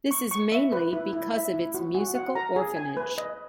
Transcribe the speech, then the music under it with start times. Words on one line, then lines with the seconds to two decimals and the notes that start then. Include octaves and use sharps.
This is mainly because of its musical orphanage.
0.11 C#6
0.31 C#6
0.52 E5
0.72 B4
0.93 E4
1.13 E4
1.34 E5
1.54 E4
1.74 F#4
1.95 F#4
2.15 F#5
2.35 A#5
2.56 G#4
2.77 G#5
2.97 B4
3.18 D#5